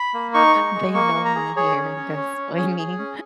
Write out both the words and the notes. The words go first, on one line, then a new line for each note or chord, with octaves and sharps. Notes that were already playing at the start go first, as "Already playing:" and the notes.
They know me here, that's funny.
Already playing: B5
A#3
D#4 C#6
G#3
G#3
A#3 C#6
A#3
A#5
G#4
G#4 C#5
C#4
C#4
C#4
C#4
G#4
G#4
C#4